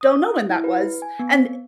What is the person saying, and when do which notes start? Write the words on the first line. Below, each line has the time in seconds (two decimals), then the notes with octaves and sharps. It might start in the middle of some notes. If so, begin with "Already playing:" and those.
don't know when that was, and,
0.01 D#6
0.50 E4
0.64 B4
1.02 G#5
1.19 B3